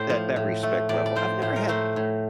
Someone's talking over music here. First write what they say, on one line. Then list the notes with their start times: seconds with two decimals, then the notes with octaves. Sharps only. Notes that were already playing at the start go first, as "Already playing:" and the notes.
That that respect level, I've never had
Already playing: A2 A3 C5 D5
0.10 F3
0.36 A2
0.63 A3
0.89 A2 D5
1.06 D5
1.15 F3 C5
1.42 A2 C5
1.56 A#4
1.69 A3 C5
1.96 A2